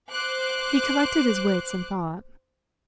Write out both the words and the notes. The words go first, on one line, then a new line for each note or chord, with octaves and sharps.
He collected his wits and thought.
C5 D6 F#6